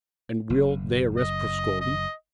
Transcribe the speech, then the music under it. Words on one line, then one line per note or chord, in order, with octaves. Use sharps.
"And will they arrest Prascovie?"
F#1
D#5
D#5